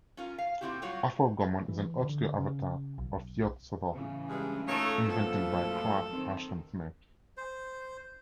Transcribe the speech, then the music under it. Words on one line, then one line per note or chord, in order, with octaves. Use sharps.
Aforgomon is an obscure avatar of Yog-Sothoth invented by Clark Ashton Smith.
C#4 F4 A#4
F5
A#2 A3 C4 E4 F#4 G4
F#3 G3 F4 F#4 C#5
E3
D3
C#3
B1
A2 C#3 E3
G2 G#3
A3 D#4 F4 A4 C#5
F#2 B2 F3 A3 A#3 A4
D#3 C4
C5